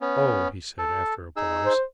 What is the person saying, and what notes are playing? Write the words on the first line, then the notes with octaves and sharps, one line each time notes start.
"Oh!" he said after a pause.
B3 C#4
A4
D#4 G#4 E6
C5